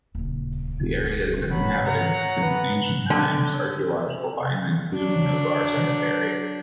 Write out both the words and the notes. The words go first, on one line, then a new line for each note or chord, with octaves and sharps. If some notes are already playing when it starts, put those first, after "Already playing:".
The area has been inhabited since ancient times; archaeological finds include an Avar cemetery.
D#1 C#2
A#2 D#3 F#3 B5
G#2 F#5 A#5
B3
D3
F#3 D4